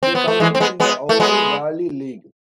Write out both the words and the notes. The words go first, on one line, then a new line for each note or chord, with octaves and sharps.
They compete in the Avon valley league.
C4
B3
A3
E3 G#3
C4
G#3 B3
G#3 B3
A3
G#3 B3